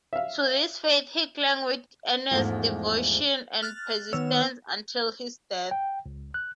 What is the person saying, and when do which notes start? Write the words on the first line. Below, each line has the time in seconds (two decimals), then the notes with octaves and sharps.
To this faith he clung with earnest devotion and persistence until his death.
0.13 E5 F5
2.31 E2 G#2 F3 G#3 A3
3.63 F6 F#6 A6
4.13 D#3 B3 C#5 E6
5.71 G5
6.06 C#2
6.34 F#6